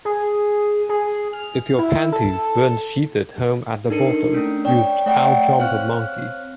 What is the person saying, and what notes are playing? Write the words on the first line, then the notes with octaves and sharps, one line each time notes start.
If your panties weren't sheeted home at the bottom, you'd outjump a monkey.
G#4
G#4
F6
E4
A4
D4 D#4 A4 A#4 C#7
A3 C#4 D4
C#5 D5 G5
A3 C#5 D5 F#5 G5
C4 C5 C#5 F5 F6 F#6